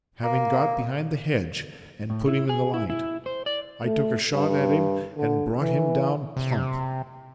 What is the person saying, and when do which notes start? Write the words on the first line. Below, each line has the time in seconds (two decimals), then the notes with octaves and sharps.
Having got behind the hedge, and put him in the light, I took a shot at him and brought him down plump.
0.23 A#3
2.10 A2
2.27 E4
2.49 G#4
2.74 E4
2.90 E4
3.26 C5
3.46 D5
3.84 A3
4.31 G2
5.17 D3
5.61 E3
6.37 C3